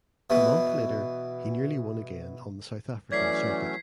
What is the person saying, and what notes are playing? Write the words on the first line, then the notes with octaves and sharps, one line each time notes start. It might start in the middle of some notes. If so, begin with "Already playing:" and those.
A month later he nearly won again on the South African circuit.
B2 E3
E3 F#3 A3 C#4 D5 G#6 B6 C7